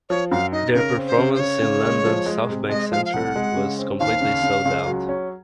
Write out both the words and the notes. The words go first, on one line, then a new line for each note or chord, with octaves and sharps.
Their performance in London's Southbank Centre was completely sold out.
F3 C#5
F#2 F5
D#4 D#5
C#3 A#4
C4
C5
C#3
C5
C#3 C#5
C#3
G#3
F3
G#3
C3
G#3 D#5
F3 F5
F5
C2 F#5
G#3
C#3
C4
D#2 F5
C#3
C#3
C#2
F#3
C#4